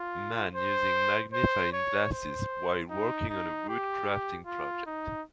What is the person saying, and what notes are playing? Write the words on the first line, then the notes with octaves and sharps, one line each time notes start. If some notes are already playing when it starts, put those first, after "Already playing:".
Man using magnifying glasses while working on a wood crafting project.
Already playing: F4
C5
C5
C#5
C5
D#4
D#4
G4
F4
D#4